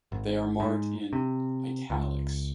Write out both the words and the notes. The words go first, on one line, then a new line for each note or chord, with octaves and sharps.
They are marked in "italics".
G#1
G#2
C3
C#2